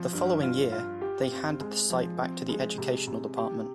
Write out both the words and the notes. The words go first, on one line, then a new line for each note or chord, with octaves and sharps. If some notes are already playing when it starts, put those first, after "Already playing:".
The following year, they handed the site back to the Education Department.
Already playing: F3 C4
G2
F4
F4
G4
C4
G#3
F3
C4
G#3
C3
C3
G4